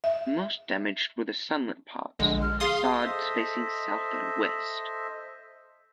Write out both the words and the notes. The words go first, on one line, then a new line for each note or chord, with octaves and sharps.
Most damaged were the sunlit parts, the facades facing south and west.
E5
A#1 D3 G#3
F6
G#4 F5 C6 D#6
A4 C5 D#5 E5